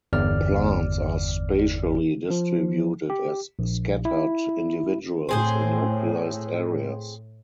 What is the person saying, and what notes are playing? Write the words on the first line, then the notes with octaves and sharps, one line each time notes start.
Plants are spatially distributed as scattered individuals in localised areas.
G1 E2 D5 F6
F3
G4
A#1
E4
A2 C4 G#4 C5